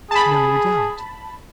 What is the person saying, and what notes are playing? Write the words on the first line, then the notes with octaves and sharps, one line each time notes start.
No doubt.
G#4 A5 B5